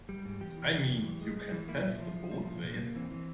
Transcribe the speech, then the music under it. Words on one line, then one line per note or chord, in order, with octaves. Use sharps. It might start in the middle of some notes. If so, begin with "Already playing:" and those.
I mean, you can't have it both ways.
G3
G#2
E2 G4
E3
E2
E2
E3
G#3
G#3
E3
A#3 E4
A#2
F3
F3
F3
A#2
A#2
A#3
E3 C4
E3